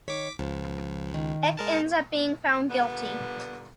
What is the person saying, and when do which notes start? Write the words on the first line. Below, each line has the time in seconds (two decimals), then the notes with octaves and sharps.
Eek ends up being found guilty.
0.08 D#3 C#5 D6 B6
0.39 C#2 F3
1.14 D#3
1.57 G#3 A#4 A5
2.69 A#2 D3 G3 B3